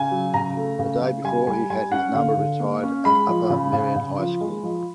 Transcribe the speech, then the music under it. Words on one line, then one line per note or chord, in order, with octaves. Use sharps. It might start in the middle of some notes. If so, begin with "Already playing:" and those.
The day before he had his number retired at Upper Merion High School.
Already playing: C#3 G#5
F#3
C#3 A#5
A3
C#3
C#3
G3 G#5
G3 G#5
G3 G#5
C#4 F#5
D3 F5
D3
A#3
C#4
G#3 B5
F3
C#3
C#3
C#3
F3
G#3
F3